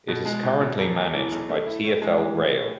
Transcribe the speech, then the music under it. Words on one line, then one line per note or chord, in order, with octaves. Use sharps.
It is currently managed by TfL Rail.
B2
G#3
B2
B2
E1
E1
E3
B1
A3
E4
A2
G#3
E3
A2